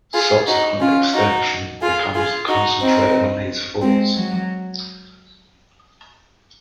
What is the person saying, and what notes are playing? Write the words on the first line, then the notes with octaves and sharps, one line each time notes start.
Subsequent extension becomes concentrated on these faults.
F4 G#4
D#4 F#4
C#4 F4
D#4 F#4
F4 G#4
F4 G#4
D#4 F#4
C4 D#4
G#3 C4
F#3